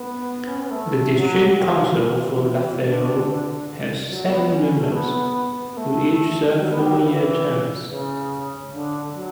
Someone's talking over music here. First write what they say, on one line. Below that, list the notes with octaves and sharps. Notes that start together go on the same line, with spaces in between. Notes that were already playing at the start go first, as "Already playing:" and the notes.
The district council for Lat Phrao has seven members, who each serve four-year terms.
Already playing: B3
C#4
B3
A3
F#3
G3
F#3
E3
E3
F#3
E3
D3
F#3
B3
C#4
A3
B3
B3
A3
G3
F#3
B3
G3
F#3
D3
E3
C#3
D3
F#3